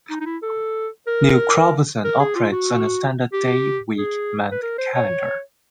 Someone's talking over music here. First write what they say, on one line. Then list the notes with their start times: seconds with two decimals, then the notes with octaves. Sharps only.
New Crobuzon operates on a standard day, week, month calendar.
0.10 D#4
0.21 D#4
0.26 E4
0.43 A4
1.07 A#4
2.04 A#4
2.20 G#4
2.36 F4
2.52 F#4
3.33 G4
3.98 G#4
4.52 B4
4.62 A#4
4.78 C5
4.94 C#5